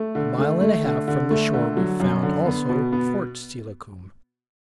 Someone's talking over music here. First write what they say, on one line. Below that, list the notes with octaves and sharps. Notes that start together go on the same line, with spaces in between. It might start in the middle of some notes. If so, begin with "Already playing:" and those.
A mile and a half from the shore we found also Fort Steilacoom.
Already playing: A3
D3
A3
A3
D3
D3
A3
D3
F#3
F#2
D3
B3
B2
B3